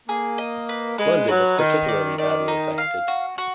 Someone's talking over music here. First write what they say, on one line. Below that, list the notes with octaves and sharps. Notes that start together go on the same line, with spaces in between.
London is particularly badly affected.
A#3 G#4
D#5
B4
G#3 B4
F#3 B4
D#3 D#4
D5
D#3 D5
D#4
F5
F#4
F#4